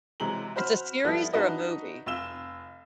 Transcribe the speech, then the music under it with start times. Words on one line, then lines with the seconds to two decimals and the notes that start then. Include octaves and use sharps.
It's a series or a movie?
0.20 C3 E3 F#3 G#3 A#5 F#7
0.56 F#4 C5 B5 F6
1.04 F3 G3 B3 E4 A4 B4
1.33 D4 D#4 F#4 B4 D#5 E5
2.06 F1 F4 E6 E7 G7